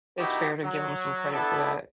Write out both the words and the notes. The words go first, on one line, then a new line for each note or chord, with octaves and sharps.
it's fair to give 'em some credit for that.
B2 D#3 D#4 E4 F#4 G4
F#3
B3 D4 E4 A4